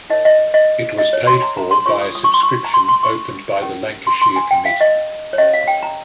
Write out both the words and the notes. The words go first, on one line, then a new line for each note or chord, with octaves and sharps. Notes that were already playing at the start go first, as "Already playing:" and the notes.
It was paid for by a subscription opened by the Lancashire Committee.
D#4 A#4 C#5 D#5
D#5
D#5
D#5
C#5
C6
A#5
A#5
C6
F4 A#4 C#5 C#6
D#6
D#6
C#6
C6
C#6
A#5
C6
C6
C#6
C#4 G4 A#4
C6
C6
G#5
G5
F5
D#5
C#5
C#4 G4 C5 D#5
F5
G5
A#5